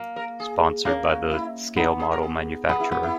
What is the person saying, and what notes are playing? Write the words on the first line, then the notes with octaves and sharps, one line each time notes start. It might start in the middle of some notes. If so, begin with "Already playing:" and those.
Sponsored by the scale-model manufacturer.
Already playing: A#3
A#4
G#4
A#3 C#4
F#4
E4
B3 D#4
G#4
A#4
G#4
B3 G#4
E4
B3 F#4
E4